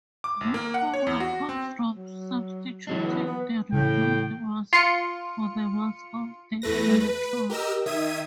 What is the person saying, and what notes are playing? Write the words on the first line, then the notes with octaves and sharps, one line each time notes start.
This formula comes from substituting the reduced mass for the mass of the electron.
D6
G#1
A#3
F#5
C#5
E2
F#4
C4
F#3
E3 F#3 G#3 D4
B3
B3
A2 C#3 E3 G5
F4 C#7
E2 A3 B4 A#6
B4
G4 A#4 D#5 E6
D#3 E5 D#6 G#6 D#7